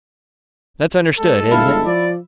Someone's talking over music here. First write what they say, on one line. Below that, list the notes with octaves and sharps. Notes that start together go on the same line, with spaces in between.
"That's understood, isn't it?"
G#3 A4
G1 E4 F5
F3 D5